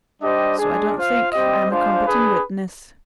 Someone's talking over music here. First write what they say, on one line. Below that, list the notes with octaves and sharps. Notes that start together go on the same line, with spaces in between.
So I don't think I'm a competent witness.
G3 D4 G4 C5 D#5
G#3 D4 G#4
F4 C5 F5
G3 C4 G4 C5 D#5
G#3 D4 F4 C5 F5
D4 G#4 B4